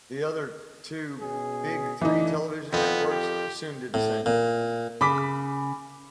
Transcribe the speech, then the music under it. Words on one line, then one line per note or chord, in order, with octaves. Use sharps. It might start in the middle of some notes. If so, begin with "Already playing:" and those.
The other two Big Three television networks soon did the same.
B2 C#4 G#4
F#2 E3 A3 D4 D#4
F2 B3
G4
A2
A#2
C#3 B5 D6 B6